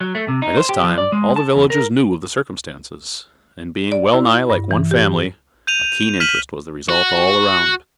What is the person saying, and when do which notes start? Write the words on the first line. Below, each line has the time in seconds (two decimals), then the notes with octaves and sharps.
By this time all the villagers knew of the circumstances, and being wellnigh like one family, a keen interest was the result all round.
0.01 F#3
0.15 A3
0.28 C3
0.42 D#4
0.57 C5
0.69 G4
0.83 F3
0.98 D5
1.12 G#3
1.36 A5
1.56 E2
1.70 A#4
3.92 D5
4.13 E4
4.50 G2
4.71 E3
4.91 G4
5.67 G6 D#7 F7
6.20 F6 B6 D#7 E7 F#7
6.89 F#4